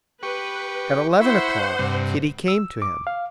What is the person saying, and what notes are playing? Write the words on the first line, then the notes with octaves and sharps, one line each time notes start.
At eleven o'clock Kitty came to him.
G4 B4 C#6
E4 C5 F#5 B5 C#6
G2 C3
E6
D6
F5